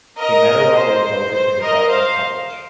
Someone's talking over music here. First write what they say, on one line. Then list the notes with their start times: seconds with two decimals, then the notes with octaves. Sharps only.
He met her while they both attended Dartmouth College.
0.18 A#4 D#5
0.76 C5
1.33 C5
1.61 A#4 D#5
1.90 C5 F5